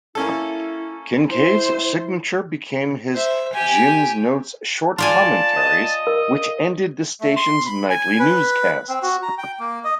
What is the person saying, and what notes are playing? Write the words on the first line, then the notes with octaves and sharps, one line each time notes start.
Kincaid's signature became his "Jim's notes," short commentaries which ended the station's nightly newscasts.
A#3 C#4 E4 A4
E4 C5
C5 E5
G4 G#5
F4 D5 G#5 A5
D#5
A#4
A3
C6
B5
G#5
B4
C4
F#4
A#5
G5
A#3
D#5